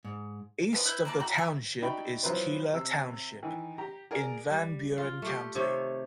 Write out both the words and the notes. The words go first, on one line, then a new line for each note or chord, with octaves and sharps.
East of the township is Keeler Township in Van Buren County.
G#2
E3 F3 B3
E4 B4 G6
A#3 D5 A5
F#4 G5 A#5 G6
E5 F5
D#4 F#4 D5 E5 G5 B5
F3 F#3 E4 B4 C5
C3 E6
D#3 E3
G4 A#5
G#4 A#4 D5
G3
F4
A3 G4
C3 D#3 C#5